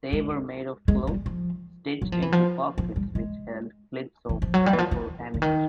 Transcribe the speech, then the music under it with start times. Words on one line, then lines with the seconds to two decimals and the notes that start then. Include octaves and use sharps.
They were made of cloth, stitched into pockets which held clips of rifle ammunition.
0.13 G#3
0.88 G#3
1.07 G3
1.26 F3
2.02 F#3
2.12 F3
2.22 E3
2.32 F3
2.78 F3
2.96 G3
3.15 G#3
4.29 E3
4.42 F3
4.54 F#3
4.66 G3
4.73 E3
4.78 F3
4.91 E3
5.34 D3
5.42 D#3